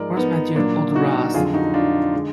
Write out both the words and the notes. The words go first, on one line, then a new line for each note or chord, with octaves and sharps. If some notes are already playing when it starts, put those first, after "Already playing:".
Where's my dear old Russ?
Already playing: G#2 F3 G#3 A#4 D5
B3 D#4
A#2 F#3 A#3 D4
D#4 F#4
F2 D3 F#3 F4 G#4
D#4 F#4
D4 F4
D3 G#3